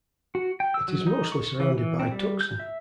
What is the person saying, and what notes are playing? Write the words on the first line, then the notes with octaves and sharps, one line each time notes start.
It is mostly surrounded by Tucson.
F#4
G5
E6
F#3
D#4
C#6
E3
E3
C4
G3
G6
E5